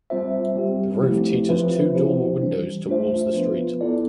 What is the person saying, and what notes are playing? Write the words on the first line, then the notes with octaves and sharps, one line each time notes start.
The roof teatures two dormer windows towards the street.
G3 C4 F4 C5 E5
G3 C4 G4
F3 A3 C4 E4 G4
F3 C4 F4 B4 E5
F3 C4 E4 G4 C5
E3 G3 D4
A3 D4 F4 C5 E5
F3 B3 F4 B4
B3 E4 A4 D5